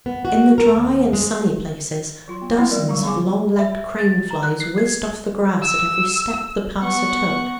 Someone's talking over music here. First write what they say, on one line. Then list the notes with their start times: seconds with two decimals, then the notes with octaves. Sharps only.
In the dry and sunny places, dozens of long- legged crane-flies whizzed off the grass at every step the passer took.
0.06 B3
0.25 F#4
0.58 A#4
0.76 D#2
1.13 G#3
2.28 F#3 F4 C6
2.42 B3
2.57 E3 G#3 A#3 C4 E4 F#4
2.70 G3 A3 A#4 D5 D#5
2.89 F#3 G3 F5 A#5
3.03 D3 B3 G#4 F5 G#5 D6
3.59 E5
3.99 A6
4.31 A#5
4.43 F#6
4.60 C7
4.78 G#6
5.61 E6
6.82 B3 F#5 C#6